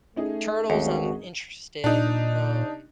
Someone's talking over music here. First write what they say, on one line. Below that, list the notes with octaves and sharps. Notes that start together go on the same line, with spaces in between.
turtles, I'm interested, um
A3 C#4 D#4 G#4
G#1 D#2 F#4
A#2 D4 D#4